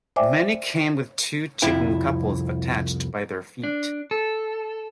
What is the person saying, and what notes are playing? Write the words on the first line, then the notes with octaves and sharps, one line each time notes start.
Many came with two chicken couples attached by their feet.
C5 D5 E5 G5 G#5 D6
C2 F2 E4 G5
D4
A4